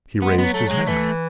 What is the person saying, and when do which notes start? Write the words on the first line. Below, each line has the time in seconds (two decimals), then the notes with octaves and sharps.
He raised his hand.
0.22 G#3 B3
0.38 F#3 B3
0.54 A3
0.66 F#3 G#3
0.87 E3 A3